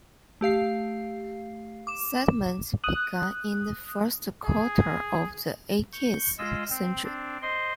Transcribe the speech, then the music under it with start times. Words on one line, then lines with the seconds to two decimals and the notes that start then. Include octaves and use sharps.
Settlement began in the first quarter of the eighteenth century.
0.41 A3 G4 F5 C7
1.87 D6 E7
2.84 D#6 F#6
4.44 G#4
5.92 C#6 G6
6.38 G#3 F4 D#5 E6
6.70 C4
7.04 C4 D4
7.42 C5 D#5 C6